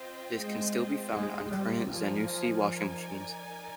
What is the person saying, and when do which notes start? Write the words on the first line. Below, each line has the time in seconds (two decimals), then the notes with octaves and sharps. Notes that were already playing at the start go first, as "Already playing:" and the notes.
This can still be found on current Zanussi washing machines.
Already playing: C4 F4 C5 D#5 G5
0.36 G#3
1.12 G#3
1.49 G3
1.87 F3 D#4 A#4 D5 G#5